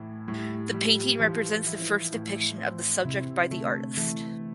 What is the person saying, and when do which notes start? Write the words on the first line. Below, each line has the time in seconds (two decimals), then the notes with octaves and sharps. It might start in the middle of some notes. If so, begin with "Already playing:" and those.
The painting represents the first depiction of the subject by the artist.
Already playing: A2 E3
0.28 A2 G3
0.74 F3 G3
1.20 E3 F3
1.66 E4
2.13 A2
2.58 C4
3.05 C3 E4
3.51 D3 A3
3.97 E3 A3